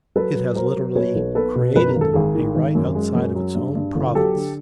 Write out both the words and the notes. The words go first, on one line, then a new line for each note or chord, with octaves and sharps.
It has literally CREATED a right outside of its own province.
F#3 A4 B4
F#3
F#3 A#4 C5
F#3
B2 B4 C#5
B1
B3 A4 B4
B2
F#2 B4
A#4
G#1
A4
G#1 G#4 A#4
D#3
G#1
F#2
G#3
F#2
F#3
G2
G2
G1
F#3 G4 A4
D3